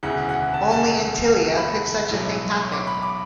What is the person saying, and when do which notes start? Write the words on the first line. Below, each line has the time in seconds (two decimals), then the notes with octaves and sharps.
Only in Tilea could such a thing happen!
0.03 E1 D2 C#3 E3 F#5
0.29 F#5
0.54 A5
0.63 G#5
0.71 A5
1.57 B5
2.09 B1 A2 F#3
2.61 C#6
2.73 D6
2.87 B5
3.02 D6